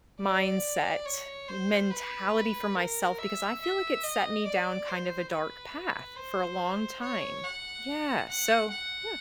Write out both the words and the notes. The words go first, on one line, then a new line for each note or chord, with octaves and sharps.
mindset, y mentality for myself, because I feel like it set me down kind of a dark path for a long time. Yeah, so Yeah.
D5
C#5
C5
B4
A#4
E5
E5
D#5
D5
C5
B4
C5
C#5
F#5
F#5
F#5